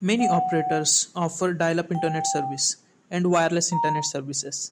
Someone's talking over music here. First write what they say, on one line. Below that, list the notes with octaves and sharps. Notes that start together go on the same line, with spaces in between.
Many operators offer dial-up internet service, and wireless internet services.
F#5
G5
A#5